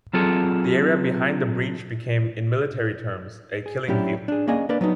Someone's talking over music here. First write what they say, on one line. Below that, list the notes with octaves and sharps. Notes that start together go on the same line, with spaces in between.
The area behind the breach became, in military terms, a "killing field".
F#3 C4 F4 G#4 A4
G#4
A2 F#3 C#4 D4 E4 G4
D4 G#4
A#3 C#4 G#4 D5 D#5 G#5
A#3 D4 A#4 B4 D5
F#3 B3 D4 D#4